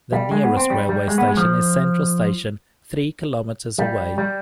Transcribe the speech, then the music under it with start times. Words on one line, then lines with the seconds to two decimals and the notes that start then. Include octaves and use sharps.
The nearest railway station is Central station, three kilometres away.
0.12 G3
0.31 G#3
0.44 B3
0.57 C4
0.70 G3
0.89 G3
1.08 G#3
1.18 B3
1.28 G#3
1.37 F3
3.78 G3
4.18 G3